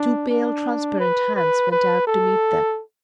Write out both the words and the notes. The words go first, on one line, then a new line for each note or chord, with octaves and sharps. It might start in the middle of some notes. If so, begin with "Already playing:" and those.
Two pale, transparent hands went out to meet them.
Already playing: D4
D4
B4
B4
B4
A4